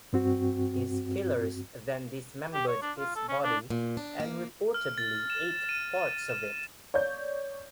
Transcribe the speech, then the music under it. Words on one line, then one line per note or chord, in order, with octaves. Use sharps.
His killers then dismembered his body and reportedly ate parts of it.
G2 C4 F#4
G4
C#5
D4
F4
A4
C#4
D4
A#2
D4
A#3
F6
A6
E7
D#7
E7
C#5 D5 G6